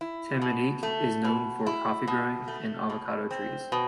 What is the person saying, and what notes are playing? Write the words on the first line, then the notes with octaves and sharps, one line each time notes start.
Tamanique is known for coffee growing and avocado trees.
E4
B2
A3
B2
E4
B2
A3
B2
C4
B2